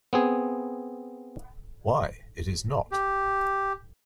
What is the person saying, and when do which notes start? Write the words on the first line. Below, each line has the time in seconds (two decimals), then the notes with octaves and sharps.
Why, it is not!
0.13 B3 C4 G#4
2.91 G4